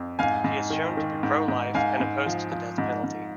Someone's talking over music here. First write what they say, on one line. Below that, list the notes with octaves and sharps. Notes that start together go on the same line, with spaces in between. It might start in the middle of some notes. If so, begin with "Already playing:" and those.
He is shown to be pro-life and opposed to the death penalty.
Already playing: F2
G#2 F5 G#5
G#2
D#3
D#3
G#2
G#2
G#2 F5 G#5
G#2
F3
F3
G#2
G#2